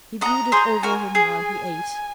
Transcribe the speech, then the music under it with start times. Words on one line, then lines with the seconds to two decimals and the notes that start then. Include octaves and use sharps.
He brooded over him while he ate.
0.21 D#5 F#5 A#5
0.52 G#4 C5
0.83 F#4 A#4 G#5
1.15 G#4